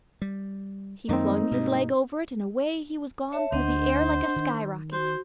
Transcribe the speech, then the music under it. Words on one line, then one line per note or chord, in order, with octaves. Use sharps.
He flung his leg over it, and away he was gone through the air like a sky-rocket.
G3
F#2 D#3 G#3 A#3 C4 D#4
G2 B2
C#5 E5 A5
D2 D4 C5 D#5 F#5
D#3
F#4 C5